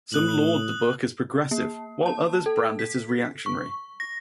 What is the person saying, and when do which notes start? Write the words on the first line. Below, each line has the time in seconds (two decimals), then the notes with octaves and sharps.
Some laud the book as progressive while others brand it as reactionary.
0.12 A2 D#6 F#6 F#7
1.51 A#3
2.06 A5
2.46 A4
2.79 B6
3.46 C#6
4.00 A#6